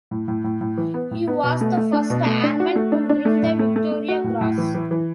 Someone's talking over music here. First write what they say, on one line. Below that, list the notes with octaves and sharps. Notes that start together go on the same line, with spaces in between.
He was the first airman to win the Victoria Cross.
A2
A2
A2
A2
E3
B3
A2
B3
B2
A3
A3
D4
B2
A3
D4
F#4
A3
D4
D4
A3
A2
A3
A3
A3
F#4
A2
A2
E3
E3
E3